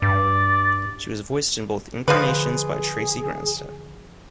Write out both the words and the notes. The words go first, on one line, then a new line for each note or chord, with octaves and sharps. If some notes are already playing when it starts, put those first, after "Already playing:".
She was voiced in both incarnations by Tracy Grandstaff.
G2 D5
D3 F3 G#3 G#4 B4